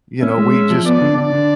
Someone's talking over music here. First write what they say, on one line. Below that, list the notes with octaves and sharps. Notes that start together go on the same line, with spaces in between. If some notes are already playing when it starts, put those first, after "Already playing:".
you know, we just
C#4 E5
G#3
C#4
F3
B3 D5
D3
D3 D5
D3